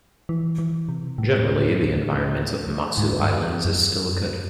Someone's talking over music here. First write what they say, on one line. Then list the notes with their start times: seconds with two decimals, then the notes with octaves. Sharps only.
Generally, the environment of Matsu Islands is still good.
0.29 E3
0.58 E3
0.89 C3
1.18 A2
2.98 G#2
3.19 G2
3.65 F#2